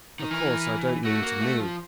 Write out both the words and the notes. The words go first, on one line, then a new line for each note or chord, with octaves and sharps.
"Of course I don't mean to me."
D#3
E3 A#4
A3 F#4
A#3
A3
F3